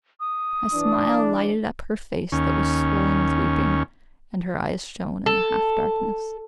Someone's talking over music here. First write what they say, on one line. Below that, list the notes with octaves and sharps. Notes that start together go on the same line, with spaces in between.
A smile lighted up her face that was swollen with weeping, and her eyes shone in the half darkness.
D#6
E3 D4
D#2 C#4
A4